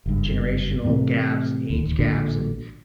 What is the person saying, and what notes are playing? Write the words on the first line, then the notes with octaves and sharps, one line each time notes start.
generational gaps, and age gaps, and,
F#1 G2
A2 C3 E3
D1 D#2
A1 A#2 D3